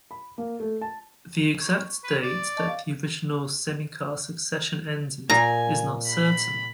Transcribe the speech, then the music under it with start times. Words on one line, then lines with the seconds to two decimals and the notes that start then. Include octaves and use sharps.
The exact date that the original "semikhah" succession ended is not certain.
0.11 B5
0.38 A#3
0.60 A3
0.81 A5
1.61 C#6
2.04 B4
2.22 D5
2.57 D#5 A5 C#6
2.68 F5
5.30 A#2 G#5 A#5
6.07 B5